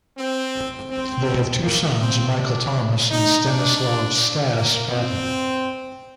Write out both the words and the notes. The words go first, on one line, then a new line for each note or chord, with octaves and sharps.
They have two sons, Michael Thomas, and Stanislav "Stas" Patten.
C4
C4
A#3
C4
D4
D#4
D4
A#3
C4